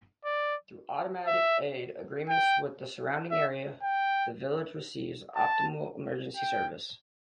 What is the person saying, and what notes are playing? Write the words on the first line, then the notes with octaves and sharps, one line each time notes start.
Through automatic aid agreements with the surrounding area, the Village receives optimal emergency service.
D5
E5
G5
E5
G5
A5
G5